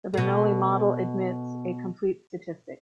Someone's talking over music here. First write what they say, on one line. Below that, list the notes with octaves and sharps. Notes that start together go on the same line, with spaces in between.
The Bernoulli model admits a complete statistic.
B2 A3